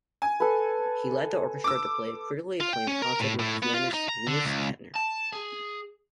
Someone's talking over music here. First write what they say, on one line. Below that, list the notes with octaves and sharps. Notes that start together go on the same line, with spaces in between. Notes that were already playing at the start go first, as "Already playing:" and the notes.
He led the orchestra to play a critically acclaimed concert with pianist Louis Kentner.
G#5
A4 B4
D6 E6
F4
G5
C#4
A#4
A2
A2
B3
F4
D#4
A#5
D3
C#2
A5
G#4